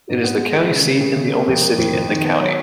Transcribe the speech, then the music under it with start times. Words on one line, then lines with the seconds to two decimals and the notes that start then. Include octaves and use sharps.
It is the county seat and the only city in the county.
0.09 G#2
0.24 B3
0.39 G#3
0.55 G#3
0.70 C#3
0.86 C#3
1.01 C#3
1.16 C#3
1.32 A#3
1.47 F2
1.63 A#3
1.78 F2
1.93 F2
2.09 D#3
2.24 B3
2.40 F#3